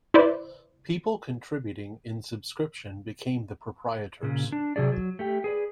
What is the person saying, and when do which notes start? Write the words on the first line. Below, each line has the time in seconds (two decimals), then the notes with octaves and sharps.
People contributing in subscription became the proprietors.
0.14 E4 B4 C5 D5
4.23 A#2 C#3
4.52 D4
4.76 C3 F#3 G#4 D5
4.92 F#3
5.19 A3 G4 G5
5.44 G#4 B4 D5